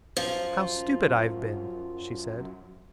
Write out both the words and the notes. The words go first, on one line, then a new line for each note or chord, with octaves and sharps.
"How stupid I have been," she said.
F#2 F3